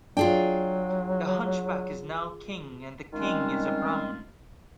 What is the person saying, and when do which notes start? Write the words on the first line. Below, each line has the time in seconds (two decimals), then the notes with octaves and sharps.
The hunchback is now king and the king is a Brahman.
0.17 F#3 D4 F4 G#4 G5
3.13 D#3 G3 G#3 C4 C#4 F4